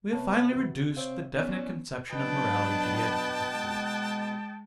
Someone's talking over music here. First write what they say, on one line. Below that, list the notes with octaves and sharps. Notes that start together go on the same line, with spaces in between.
We have finally reduced the definite conception of morality to the idea of freedom.
C3 B3 B4 C#5 A5
E2 F#4
C4 C#5 F5
B3 C#4 E4 D5
B2 F#3 D4 B4 D#5 G5 A5
G#3 F#5